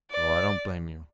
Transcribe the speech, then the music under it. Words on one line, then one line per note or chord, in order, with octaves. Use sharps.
Well, I don't blame you.
D5